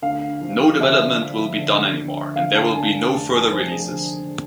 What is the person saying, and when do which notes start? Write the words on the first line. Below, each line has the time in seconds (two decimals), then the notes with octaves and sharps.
No development will be done anymore, and there will be no further releases.
0.02 D2 F5
0.41 F3
0.81 D3 E5
1.19 F3
1.58 D3
1.97 D2
2.35 D3 F5
2.55 A5
2.74 D2 G#5
3.14 F1 A5
3.33 G#5
3.52 F2 C5
3.72 G#4
3.91 D3